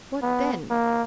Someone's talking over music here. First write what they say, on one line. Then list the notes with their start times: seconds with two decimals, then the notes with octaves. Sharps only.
What then?
0.23 B3
0.70 A#3